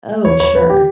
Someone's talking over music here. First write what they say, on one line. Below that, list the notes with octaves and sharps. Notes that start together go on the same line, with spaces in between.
Oh, sure.
C#5
C#5
B4
G4